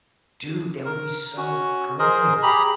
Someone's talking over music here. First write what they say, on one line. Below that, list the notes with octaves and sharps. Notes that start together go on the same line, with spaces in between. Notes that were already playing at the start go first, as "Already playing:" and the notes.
Dude, that would be so good.
A#4
C#4 F#4
G#4 A#4 C5 D#5
G4 G#4 A#5 B5